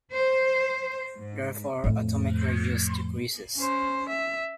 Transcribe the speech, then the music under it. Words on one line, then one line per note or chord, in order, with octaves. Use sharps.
Therefore, atomic radius decreases.
C5
G#2
F2 A2
C#4 C5
E5